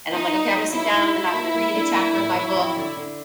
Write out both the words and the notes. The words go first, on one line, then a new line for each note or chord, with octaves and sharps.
and I'm like, "Okay, I'm gonna sit down, and I'm gonna read a chapter of my book,
B3 D#4
B3
F#3
D#4 E4
D#4
D#4
A#3
A#3
D4
A#3
A2
F#3
F2
D3
D3